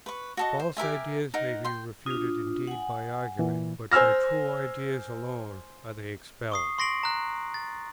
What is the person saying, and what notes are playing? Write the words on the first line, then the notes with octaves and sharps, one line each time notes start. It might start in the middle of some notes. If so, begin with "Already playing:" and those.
False ideas may be refuted indeed by argument, but by true ideas alone are they expelled.
B4 C#6
F#4 A4 D#5
C5
G4 A#4 E5 G#5
D#4 A#4 F#5
G5 C6
D4 F4 D#6
F#5 G#5
A#2 E3
C5 G#5 E6 F6 A#6
C#6 D#6 C7
C6 C#6 A#6 C7 D7 F#7
A#5 F#6
A6